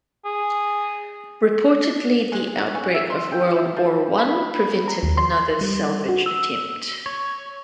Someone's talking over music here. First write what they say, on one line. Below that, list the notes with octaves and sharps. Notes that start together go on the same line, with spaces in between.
Reportedly the outbreak of World War One prevented another salvage attempt.
G#4
G#3
F#3
C#4
E5
C6
G5
E5
F3
B5
A#5
D#2
C6
G3
F#4
E6
C#5